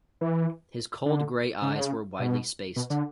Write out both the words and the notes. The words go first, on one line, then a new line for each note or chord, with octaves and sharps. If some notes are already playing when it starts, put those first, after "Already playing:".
His cold grey eyes were widely spaced.
E3
D3
C#3
D3
C#3
B2
B2
D3